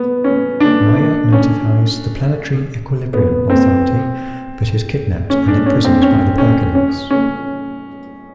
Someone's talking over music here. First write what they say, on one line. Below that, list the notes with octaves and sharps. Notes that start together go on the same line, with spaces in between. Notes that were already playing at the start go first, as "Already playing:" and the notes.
Maia notifies the "Planetary Equilibrium Authority", but is kidnapped and imprisoned by the Perkinites.
Already playing: B3
C#4
D4
D4
C#4
B3
C4
C#4
D4
C#4
C4
C#4
C#4
C#4
C#4